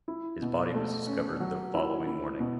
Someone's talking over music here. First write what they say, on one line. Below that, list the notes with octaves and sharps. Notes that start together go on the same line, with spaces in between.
His body was discovered the following morning.
E4
B2
A3
C#4
F#3
E4
E4
B2